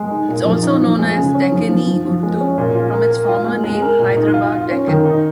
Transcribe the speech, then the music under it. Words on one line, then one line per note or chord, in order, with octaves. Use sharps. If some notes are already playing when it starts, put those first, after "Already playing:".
It is also known as "Deccani Urdu" from its former name Hyderabad Deccan.
Already playing: G#3
D#4
A#2
F3
D#4
F3
G#3
C#3
C#4
F3
F3
F3
F3
G#3
C#4
A#2
F4
A#4
A#4
F4
G#3
G#3
A#4
A#2
D#4
F4
F4
C#4
D#3
D#4